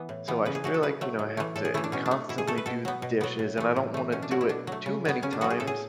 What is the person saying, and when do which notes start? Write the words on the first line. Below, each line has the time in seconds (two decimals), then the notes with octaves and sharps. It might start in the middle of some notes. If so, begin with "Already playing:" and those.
so, I feel like, you know, I have to constantly do the dishes, and I don't wanna do it too many times,
Already playing: E3 B3
0.09 A2
0.28 E3 B3
0.45 C#3 B4
0.55 G#4
0.64 F#3 A3 F#4
0.74 A4
0.83 C#3 B4
1.01 F#3 A3
1.19 A2
1.37 E3 A3
1.56 A2 A4
1.65 G#4
1.74 E3 A3 E4
1.84 D4
1.92 B2 C#4
2.06 D4
2.11 A3
2.29 B2 E4
2.38 G#4
2.47 A3 A4
2.58 B4
2.66 B2 A4
2.85 F#3 B3
3.02 B2
3.21 F#3 B3
3.39 A2
3.57 E3 A3
3.76 A2
3.94 E3 A3
4.12 B2 C#4
4.22 D4
4.31 F#3 A3 F#4
4.41 E4
4.49 B2 D4
4.67 F#3 A3
4.86 C#3
5.05 F#3 B3
5.23 C#3 C#4
5.33 D4
5.41 F#3 B3 F#4
5.50 G#4
5.60 A2 A4
5.67 G#4